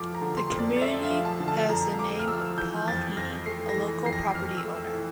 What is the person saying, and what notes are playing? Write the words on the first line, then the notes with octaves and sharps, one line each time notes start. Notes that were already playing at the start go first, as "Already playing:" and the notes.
The community has the name of Paul Heeney, a local property owner.
Already playing: F2 F3 A3 D6 F6
A#5
D3
C6
F2
D5
D5
A3 E5
F5
F3
A5
D3
A5
F2 A#5
A3 D6
F6
F3 E6
E3 G6
F2 A6
F2 A#6
A3 C7
A#6
E3
F2 C7
A#6
F2 F6
E6
A3
E3